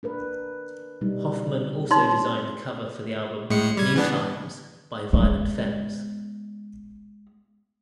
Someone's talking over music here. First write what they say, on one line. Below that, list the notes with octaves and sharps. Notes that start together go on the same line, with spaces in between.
Hoffman also designed the cover for the album "New Times" by Violent Femmes.
D4 A#4 B4
B2 G3 D#4
C4 D#4 C#5 C6
A2 G#3 C#7
G3 G#6
E3 B3 D4
G#3 B3